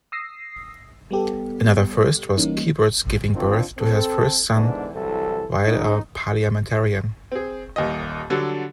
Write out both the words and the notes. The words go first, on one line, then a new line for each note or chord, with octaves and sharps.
Another first was Kyburz giving birth to her first son while a parliamentarian.
D#6 E6 A#6 C7
G3 B3 G4 A4
E3 G3 A#3 C#4 D#4
D#3 C4 D4 F4
C4 A4
G#2 D3 E3 B3 D4
C2 E3 F#3 A4
G#2 C#3 D#4
C4 G#4
D#1 D#2 D#5
D3 F#3 G3 D4 A4